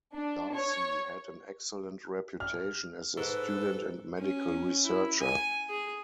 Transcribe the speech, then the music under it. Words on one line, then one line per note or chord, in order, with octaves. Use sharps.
Darsee had an excellent reputation as a student and medical researcher.
D4
C#5
F6
G#2 A4 B4
C#4
E4
G#5
G#4